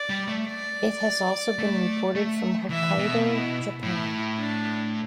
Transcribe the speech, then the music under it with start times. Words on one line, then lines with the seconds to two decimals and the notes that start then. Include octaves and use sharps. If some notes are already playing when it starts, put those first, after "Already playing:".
It has also been reported from Hokkaido, Japan.
Already playing: D5
0.10 G3
0.28 A3
0.47 D5
1.59 A3
2.15 A3
2.70 E3 E5
2.98 B2
3.26 E4
3.82 A2 E4
4.38 D4